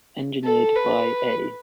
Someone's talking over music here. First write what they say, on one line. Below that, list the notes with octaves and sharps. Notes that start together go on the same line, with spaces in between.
Engineered by A.
A4
B4